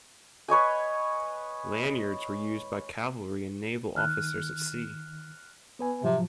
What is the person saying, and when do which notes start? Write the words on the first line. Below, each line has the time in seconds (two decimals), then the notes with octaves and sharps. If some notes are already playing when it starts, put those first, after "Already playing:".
Lanyards were used by cavalry and naval officers at sea.
0.48 B4 C#5 D#5 G#5
3.96 D#3 F6 F#6
5.79 B3 B4 G#5
6.04 A2 C3 F3 F#3